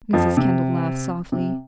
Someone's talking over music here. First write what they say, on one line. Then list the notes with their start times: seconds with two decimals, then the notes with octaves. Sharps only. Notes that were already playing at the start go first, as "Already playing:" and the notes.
Mrs. Kendall laughed softly.
0.13 F2 F3
0.37 C3
1.32 C3